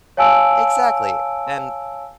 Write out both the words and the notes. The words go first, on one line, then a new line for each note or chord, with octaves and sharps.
Exactly, and
C#5 F5 G#5 A5 E6 D7